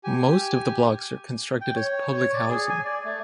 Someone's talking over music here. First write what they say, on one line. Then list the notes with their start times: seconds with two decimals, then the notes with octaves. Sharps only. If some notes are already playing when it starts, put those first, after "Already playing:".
Most of the blocks are constructed as public housing.
0.04 G4 G#5
1.61 G5
1.75 C#5
2.14 C#5
2.33 D5
2.49 G#4
2.70 G#5
2.85 D5
3.04 A3